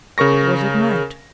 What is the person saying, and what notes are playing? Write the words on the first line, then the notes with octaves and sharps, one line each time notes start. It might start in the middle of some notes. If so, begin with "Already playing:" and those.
It was at night.
C#3 A#4 C#6 A#6